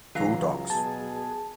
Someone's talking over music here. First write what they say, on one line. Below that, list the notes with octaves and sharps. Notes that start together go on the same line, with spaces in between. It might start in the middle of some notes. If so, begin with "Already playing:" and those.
Two dogs.
C#2 E3 F#3 F5 A#5
B2 G#4 A5